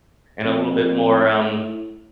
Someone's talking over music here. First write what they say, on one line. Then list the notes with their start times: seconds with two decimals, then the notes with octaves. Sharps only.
and a little bit more, um,
0.45 F2
1.21 A2